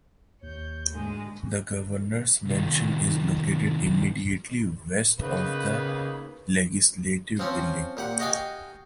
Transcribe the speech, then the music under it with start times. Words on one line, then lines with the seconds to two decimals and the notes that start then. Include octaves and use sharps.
The Governor's Mansion is located immediately west of the Legislative Building.
0.42 D#2 C#5 G6
0.91 D2 G#2 G#3
2.46 C2 D#3
5.20 C#3 A#3 B3 D#4 B4
7.39 F3 C4 C#4
7.97 A#2 G4 F#5
8.19 F#4 G4 D#5 F5 G5 G#5